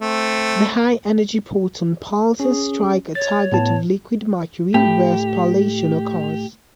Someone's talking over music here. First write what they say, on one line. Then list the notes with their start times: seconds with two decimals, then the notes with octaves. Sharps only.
The high-energy proton pulses strike a target of liquid mercury, where spallation occurs.
0.01 A3 C4
2.40 C#4 G#4
3.15 C#5 A6
3.52 A2 B3 A5
4.74 A2 G4